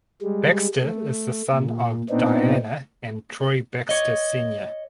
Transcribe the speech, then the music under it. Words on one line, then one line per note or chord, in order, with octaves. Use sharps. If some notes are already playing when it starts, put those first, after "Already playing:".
Baxter is the son of Dianna and Troy Baxter Sr.
G3 G#3
A3
A#2
A#2 B3 C4 D4 D#4
C#5 D#5